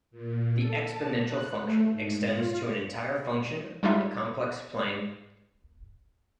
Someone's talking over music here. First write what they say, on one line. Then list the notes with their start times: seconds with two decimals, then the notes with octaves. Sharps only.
The exponential function extends to an entire function on the complex plane.
0.11 A#2
0.56 A4
0.85 A5
1.21 F#6
1.56 A3
1.90 G#2
2.27 F4
3.83 G3 G#3 D#4 F4 E5